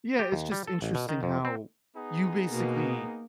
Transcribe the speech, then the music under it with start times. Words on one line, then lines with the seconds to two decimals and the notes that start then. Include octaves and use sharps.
Yeah, it's just interesting how you basically
0.19 G4
0.32 D#2
0.52 G3
0.67 A4
0.82 A1
0.95 B2
1.09 D#3
1.23 F2
1.45 C4
1.96 B3 D#4 G#4
2.50 B2 A#3